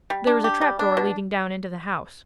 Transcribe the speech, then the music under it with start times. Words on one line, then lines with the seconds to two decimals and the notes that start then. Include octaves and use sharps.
There was a trap-door leading down into the house.
0.10 G3
0.27 D4
0.44 G4
0.61 G3
0.79 D4
0.97 B2